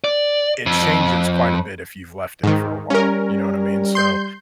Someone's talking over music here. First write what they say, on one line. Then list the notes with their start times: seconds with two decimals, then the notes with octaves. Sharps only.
it changes quite a bit if you've left it for a while, you know what I mean, so
0.04 D5
0.66 F2
2.43 G#2 D#3
2.90 G3 C#4 A#4
3.95 C6 G6